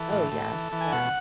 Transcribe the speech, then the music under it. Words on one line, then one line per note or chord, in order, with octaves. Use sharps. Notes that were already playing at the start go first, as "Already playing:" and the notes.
Oh, yeah. Yeah.
Already playing: E3 A4
A2
A2
E3
E3
G#5
B2 F#5